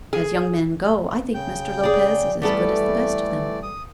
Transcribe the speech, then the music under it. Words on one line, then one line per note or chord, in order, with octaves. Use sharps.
As young men go, I think Mr. Lopez is as good as the best of them.
G#4
C#3 G5 G6
G#4 D5
E3 G3 A3 B3 A4 D5
D#6